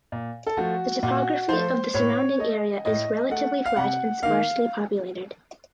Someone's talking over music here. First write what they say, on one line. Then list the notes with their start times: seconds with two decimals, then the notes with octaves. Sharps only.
The topography of the surrounding area is relatively flat and sparsely populated.
0.12 A#2
0.47 A4
0.57 F3 A3 F#4
1.03 A#2 F#4
1.49 F3 A3 C5
1.94 A2 C#5
2.40 A3 D#5
2.85 A2 D#5
3.31 A3 F#5
3.66 F5
3.76 C3 F#5
4.22 D#3 A#3 F5